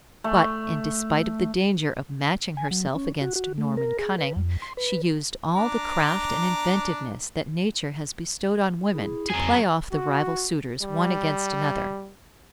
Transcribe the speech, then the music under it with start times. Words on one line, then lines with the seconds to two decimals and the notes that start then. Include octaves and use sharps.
But, in despite of the danger of matching herself against Norman cunning, she used all the craft and inventiveness that Nature has bestowed on women to play off the rival suitors one against another.
0.24 A3
2.57 G#5
2.71 F#3
2.95 C#4
3.21 F#4
3.36 F#4
3.58 A3
3.77 A#4
3.99 G#4
4.18 B4
4.36 F2
4.62 C6
4.77 B4
5.56 D4 A#5 D6
8.92 E4 G#4
9.30 F2 F#3 G#4 G#5
9.92 F#4
10.83 G3